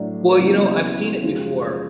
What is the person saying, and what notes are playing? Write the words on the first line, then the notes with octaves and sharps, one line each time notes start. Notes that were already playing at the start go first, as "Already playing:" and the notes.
Well, you know, I've seen it before
Already playing: A2 F#3 A3 D4
D#2 C#3 F#3 B3 E4
F#2 C#3 F3 G#3 C#4